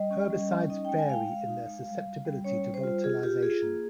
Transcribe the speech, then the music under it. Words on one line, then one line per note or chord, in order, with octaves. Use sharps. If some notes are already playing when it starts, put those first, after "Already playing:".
Herbicides vary in their susceptibility to volatilisation.
Already playing: G3 D#5
C#4
G3
C#4
D#4 D#5
G#3 G5
G#5
G#3 F5
G5
G#3 F5
D#4
G#3
G3
G3
G3
C#4 C#5
G3
C5
F4
F4 G#4
F4 G4
F4 G#4
A#3